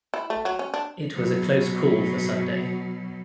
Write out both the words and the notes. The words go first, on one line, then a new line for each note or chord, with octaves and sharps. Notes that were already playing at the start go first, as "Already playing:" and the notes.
It was a close call for Sunday.
E4
A3
F#3
C#4
D4
B2 F#3